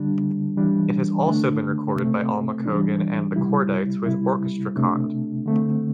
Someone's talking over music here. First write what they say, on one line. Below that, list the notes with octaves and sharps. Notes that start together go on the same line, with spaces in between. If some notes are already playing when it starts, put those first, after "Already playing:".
It has also been recorded by Alma Cogan and The Kordites with orchestra cond.
Already playing: D3 G3 D4
E3 G3 D4
D3 A3 D4
C3 A3 C4
E3 G3 D4
C3 G3 E4
C3 G3 E4
C3 A3 D4
D3 A3 C4